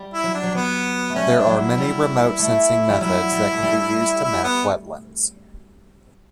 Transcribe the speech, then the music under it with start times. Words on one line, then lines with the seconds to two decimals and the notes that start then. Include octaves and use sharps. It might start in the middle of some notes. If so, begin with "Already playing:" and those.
There are many remote sensing methods that can be used to map wetlands.
Already playing: G3
0.14 E4
0.24 F#3
0.34 D4
0.43 F#3
0.54 F#3 B3
1.10 A3
1.16 G3 C#4
1.37 D4
1.47 F#3
1.57 E4
1.78 G3
2.39 A3
2.89 G3
3.01 F#3 E4
3.32 G3
3.52 A3
3.62 G3
4.24 E4
4.44 B3